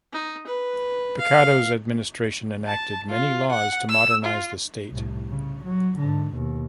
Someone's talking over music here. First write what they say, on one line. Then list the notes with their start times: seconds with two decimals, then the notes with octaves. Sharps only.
Picado's Administration enacted many laws to modernize the State.
0.12 D#4
0.47 B4
1.19 F5
2.67 A5
3.10 F4
3.52 F#5
3.90 E6
4.25 F4
4.91 C2 A2
5.29 C#3
5.65 F#3
5.99 G#2 D3
6.34 D#2 B2